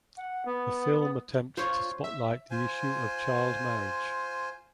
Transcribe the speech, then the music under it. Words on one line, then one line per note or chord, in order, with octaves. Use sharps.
The film attempts to spotlight the issue of child marriage.
F#5
B3
F4 C5 C#5
E5
F4 C5 G#5